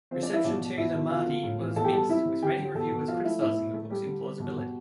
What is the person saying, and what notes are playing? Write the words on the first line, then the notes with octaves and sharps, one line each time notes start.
Reception to "The Mahdi" was mixed, with many reviewers criticizing the book's implausibility.
F3 C4 C5
D4 D5
F3
E4 E5
B2 D4 D5
B2
B2 E4 E5
B2
D3 F4 F5
D3
A2
E3
B2 A4 A5
G4 G5
G3 A4 A5
C3 E4 E5
C3
D3 G4 G5
D3
B2 A4 A5
B2
F3 F4 F5
A3 E4 E5
A2 E4 E5
A2
A3 A4
G3 A3 G4
D3
G3
B2
B2